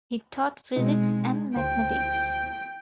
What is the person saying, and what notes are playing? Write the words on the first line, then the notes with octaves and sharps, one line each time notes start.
He taught Physics and Mathematics.
B2 G#3 C4 D#4
D2 C5 G5